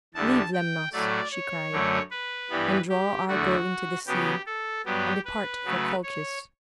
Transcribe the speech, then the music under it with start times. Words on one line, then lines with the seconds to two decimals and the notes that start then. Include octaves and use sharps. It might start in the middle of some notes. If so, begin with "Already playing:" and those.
Leave Lemnos, she cried, and draw Argo into the sea, and depart for Colchis.
0.14 E2 D3 G3 A5
0.53 G5
0.92 A2 F#3 A3 D5
1.32 C#5
1.72 F#2 D3 F#3 A3
2.11 B4
2.50 G2 E3 G3 B3
2.89 G4
3.28 E2 D3 A3 F#4
4.07 C#3 F#3 B3 G4
4.46 A4
4.85 G2 F#3 B3 G4
5.25 B4
5.64 C#3 F#3 A3
6.03 C#5